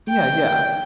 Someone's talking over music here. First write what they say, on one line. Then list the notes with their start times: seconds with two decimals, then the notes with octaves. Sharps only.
Yeah, yeah.
0.09 G5